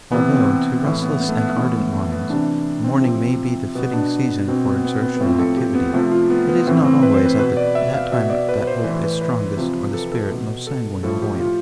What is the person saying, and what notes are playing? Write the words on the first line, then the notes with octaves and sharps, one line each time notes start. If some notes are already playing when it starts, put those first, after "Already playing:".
Although, to restless and ardent minds, morning may be the fitting season for exertion and activity, it is not always at that time that hope is strongest or the spirit most sanguine and buoyant.
C3 E3 B3
C4
A2 E3
B3
B3
A3
B3
A2 E3 B3
A3
B3
C3 E3 D4
C4
C3 F3
B2 B3
D4
B2 C4
B3
B3
B3
B3
A2 F3 C4
A4
G4
B3
C3 F3 A3
F4
B3
B3
A2 E3 C4
C4
B4
C5
B4
B2 B4
D5
E5
F5
B2 E5
D5
B4
B4
C5
A2 E3 C5
B4
B4
C3 F3
A4
A4
B2
A4
A2 F3 A4
G4
F4